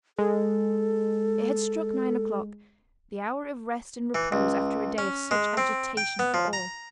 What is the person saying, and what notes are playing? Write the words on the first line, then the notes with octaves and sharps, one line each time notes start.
It had struck nine o'clock--the hour of rest and repose after a day of such agitation for all.
G#3 A4
E3
C#2
C#4
G#3
C4
G5
B3
F3
A#5